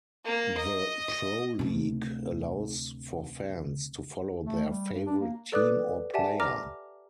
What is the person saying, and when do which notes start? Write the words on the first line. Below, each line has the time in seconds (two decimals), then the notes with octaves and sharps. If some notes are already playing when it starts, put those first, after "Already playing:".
The Proleague allows for fans to follow their favorite team or player.
0.24 A#3
0.57 D#5
1.59 D2 C3
4.44 A3
4.68 G3
4.91 G2
5.06 D4
5.20 A#3
5.52 A4 B4 D5 D6 D#6 F#6
6.14 G4 D5 E5 F#5 G#5 A5
6.40 A#5 D6 F6 A#6